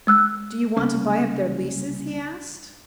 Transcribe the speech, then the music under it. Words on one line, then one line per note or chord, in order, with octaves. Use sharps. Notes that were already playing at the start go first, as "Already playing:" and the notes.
"Do you want to buy up their leases?" he asked.
G#3 E6 F#6
C2 C#3 A#3